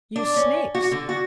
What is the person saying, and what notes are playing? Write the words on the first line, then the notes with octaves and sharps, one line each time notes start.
You snakes!
D4
C#4
F#4
D3
F#4